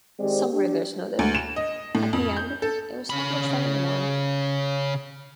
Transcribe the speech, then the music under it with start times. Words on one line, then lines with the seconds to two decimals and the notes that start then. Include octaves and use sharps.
Some regulars noted, At the end, it was not much fun anymore.
0.19 D#3 G#3 C4 G4 C5 D5
0.52 D4 G4
1.19 D2
1.35 E7
1.56 D#5
1.95 A2
2.13 F2
2.37 G6
2.62 A4
3.10 C#3 B5